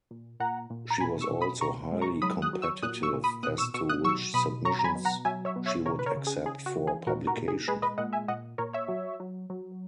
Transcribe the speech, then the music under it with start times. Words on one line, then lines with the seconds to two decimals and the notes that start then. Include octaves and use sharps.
She was also highly competitive as to which submissions she would accept for publication.
0.11 A#2
0.40 A#2 F#5 A#5
0.70 A#2
0.90 A#5
1.01 B2 G#5 B5
1.21 C#6 E6
1.31 B2
1.41 B5 D#6
1.61 B2 A#5 C#6
1.92 G#3
2.01 A#5 C#6
2.22 F#3 B5 D#6
2.42 D#6 F#6
2.53 F#3
2.62 C#6 E6
2.82 A#2 D#6 F#6
3.03 C#6 E6
3.13 A#2
3.24 B5 D#6
3.43 B2 D#6 F#6
3.58 C#6 E6
3.74 B2 C#6 E6
3.89 D#6 F#6
4.04 F#3 C#6 E6
4.34 B2 B5 D#6
4.65 F#3 A#5 C#6
4.79 A#5
4.84 G#5 B5
4.95 B2
5.05 F#5 A#5
5.25 F#3 E5 G#5
5.45 C#5 E5
5.56 B2
5.66 C#5 E5
5.85 C#3 A#4 C#5
5.99 B4
6.06 A#4 C#5
6.17 C#3
6.27 G#4
6.46 C#3 G#4
6.66 F#4
6.77 E3
6.87 G#4
7.07 A#2 F#4 A#4
7.27 F#4 A#4
7.37 A#2
7.48 G#4
7.68 G#3 G#4 B4
7.82 B4 D#5
7.98 A#2 D#5 F#5
8.13 E5 G#5
8.28 A#2 D#5 F#5
8.58 A#2 A#4 C#5
8.73 C#5 E5
8.88 F#3
9.20 F#3
9.50 F#3